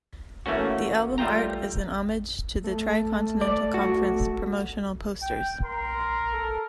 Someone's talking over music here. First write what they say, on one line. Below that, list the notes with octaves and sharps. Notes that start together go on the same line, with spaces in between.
The album art is a homage to the Tricontinental Conference promotional posters.
E3 A3 A#3 C#4 F#4
G3 A3 F4 G5 A#5
A3
D5
F#4
G5
A#4 C6
A4